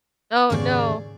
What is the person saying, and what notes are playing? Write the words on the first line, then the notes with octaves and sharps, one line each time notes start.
Oh, no.
D#2 G#2 C#3 G#4 D5